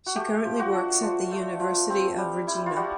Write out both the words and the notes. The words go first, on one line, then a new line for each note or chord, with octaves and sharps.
She currently works at the University of Regina.
F#4
A3 G4
F3
F#4
D4
F3
A3
F3
C4
G3
E4
F4
G3 F#4